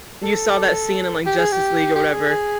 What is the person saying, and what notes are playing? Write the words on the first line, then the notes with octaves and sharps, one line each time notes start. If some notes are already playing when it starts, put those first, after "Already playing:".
you saw that scene in, like, Justice League or whatever,
A4
G4
G#4
G4
G4
G#4
G#4